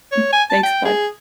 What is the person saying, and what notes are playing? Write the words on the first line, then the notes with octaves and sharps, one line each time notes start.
Mm, thanks, bud.
C#5
G#5
A5
G5
G#4